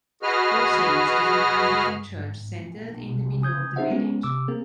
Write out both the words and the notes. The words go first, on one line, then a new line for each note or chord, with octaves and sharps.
All Saints' is an Anglican church centred in the middle of the village.
F#4 G#4 B4 D#5 F6
G#5 D#6 G6 G#6
C4 D#4 G#4 C5 E5 F#5
G#3 B3 C#4
C3 D6 E6
A#3 C4 G#4 A#4